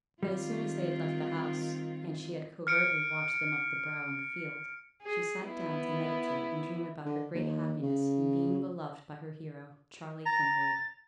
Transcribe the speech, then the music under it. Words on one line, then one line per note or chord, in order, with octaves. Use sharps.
But as soon as they had left the house, and she had covertly watched them up the brow in the field, she sate down to meditate and dream about her great happiness in being beloved by her hero, Charley Kinraid.
D#3 G3 C4 F4
F6 C#7 D7
G#4
B3 E4
D3
D#2
C#3
A#5 A6